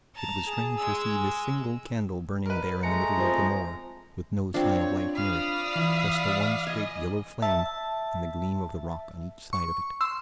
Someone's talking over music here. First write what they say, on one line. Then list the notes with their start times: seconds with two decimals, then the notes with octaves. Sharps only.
It was strange to see this single candle burning there in the middle of the moor, with no sign of life near it--just the one straight yellow flame and the gleam of the rock on each side of it.
0.15 A5 A#5
0.48 G#4
0.78 G#3 E6
2.46 A#4 B4
2.83 G#3 A3 A#5 C#7
3.17 F3 C4
4.54 F3 C4 D4 C#5
5.14 D5 F5 B5 D#6
5.76 E3
6.67 D#5 G#5
7.42 E5 A5
9.53 C#6
10.01 C6 E6